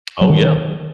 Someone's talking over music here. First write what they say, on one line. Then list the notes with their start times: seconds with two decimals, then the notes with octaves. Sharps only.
Oh, yeah.
0.21 F#3
0.30 D#3